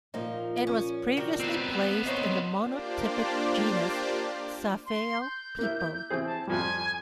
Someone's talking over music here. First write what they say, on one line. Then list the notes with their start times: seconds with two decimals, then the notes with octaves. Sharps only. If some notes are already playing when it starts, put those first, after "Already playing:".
It was previously placed in the monotypic genus "Sapheopipo".
0.14 A#2 F3 A#3 D#4
0.67 C#4
1.17 D#3 G3 F#4
1.39 B3 C4
2.06 E2 D#4 C5 C#5
2.57 A#3 D4 F4 G4 C5 D5
4.86 C6
5.21 G6
5.59 A#3 E4
6.10 E3 C4 G#4
6.26 A5
6.47 F2 F3 G3 G#5